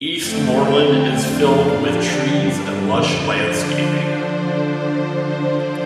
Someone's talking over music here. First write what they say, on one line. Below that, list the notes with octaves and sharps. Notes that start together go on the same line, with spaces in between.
Eastmoreland is filled with trees and lush landscaping.
F2 D3 A3 C4 G5
D3 A3 C4 G5
F2 F3 D4 F5
D3 F3 D4 G4
G2 G3 D4
F2 D3 F3
D3 F3 D4 C5